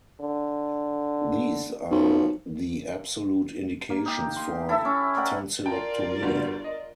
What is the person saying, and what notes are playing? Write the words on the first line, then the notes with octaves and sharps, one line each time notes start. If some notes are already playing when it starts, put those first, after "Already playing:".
These are the absolute indications for tonsillectomy.
D3
B1 F3
A#3
D#4 G4
C6
E4 A4 E5
C#4 D6
A#4 D5 F#5 G5
F4 A#4 D5 G5 A5 A#5
G1 G3 F#4
D#5